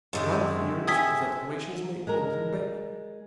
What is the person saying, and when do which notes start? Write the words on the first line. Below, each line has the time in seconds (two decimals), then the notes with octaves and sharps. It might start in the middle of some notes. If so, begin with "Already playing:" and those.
One fears that questions may call them back.
0.13 F#2 C3 D#3 G#3 E4
0.87 A4 C#5 E5 G5 G#5 D#6 G#6 B6
2.07 G#3 A#4